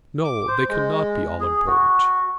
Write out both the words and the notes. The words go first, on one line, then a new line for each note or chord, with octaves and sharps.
"No; they cannot be all-important."
D6
C5
G#3
G#4
F#4